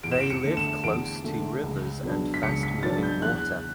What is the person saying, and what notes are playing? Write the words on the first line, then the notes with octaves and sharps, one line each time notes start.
They live close to rivers and fast-moving water.
E2 D7
E7
D7
C#7
D3 A3
E7
E2 D7
D3 A3
C#2
B2 F#3 B3 D4
B6
C#2 C#7
B6
B2 F#3 B3 D4 A6
G6
E2 F#6